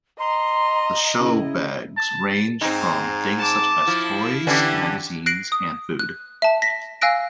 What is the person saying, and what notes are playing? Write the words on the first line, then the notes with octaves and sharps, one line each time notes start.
The showbags range from things such as toys, magazines, and food.
D#5 A#5 C6
C#3 E4
A5
G#2 C4 D#4
A5 D6
F3 E4
D3 E3 C#4 G4
F#6 A#6 C7 D7 F#7
D#6
F#6
E5 A5
A#6 B6
F5 G#5 E6 F#6 A#6 D7